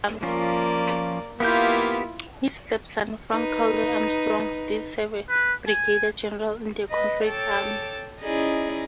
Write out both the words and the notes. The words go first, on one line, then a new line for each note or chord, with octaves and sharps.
His stepson, Frank Crawford Armstrong, did serve as brigadier general in the Confederate army.
F3 A#3 C#4 F4 D5
A#3 B3 E4 F4 G4 G6
D#4 B4
B4
G#5
B4 D#5
A4 C#5 G5 A5 D6 E6
C#4 D#4 E4 G#4 D5 D#5